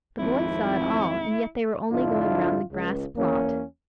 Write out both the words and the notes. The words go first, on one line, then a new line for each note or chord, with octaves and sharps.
The boy saw it all, and yet they were only going round the grass-plot.
G#1 F2 E4
F2 G#2 D3 D4 E4 F4
C#2
E2 A#3 C#4